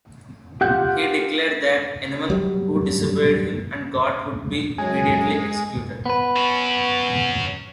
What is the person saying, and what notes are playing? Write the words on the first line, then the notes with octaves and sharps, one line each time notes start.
He declared that anyone who disobeyed him and God would be immediately executed.
F4 G4 F#5 F#6 G6
F#3 G3
F#2 F#3 G#3 G#5
B3 B4
C#4 F#4